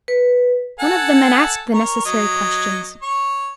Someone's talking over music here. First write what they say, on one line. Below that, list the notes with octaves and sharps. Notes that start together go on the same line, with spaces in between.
One of the men asked the necessary questions.
B4
A4 F#5 G#5
A#4 C#5
F#3 D#5
C#5